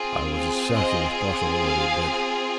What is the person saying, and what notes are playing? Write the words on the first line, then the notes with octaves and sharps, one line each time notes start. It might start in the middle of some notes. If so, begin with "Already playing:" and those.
I was as certain as possible that he did.
Already playing: C4 F4 G#4
C5 D#5
F5 G#5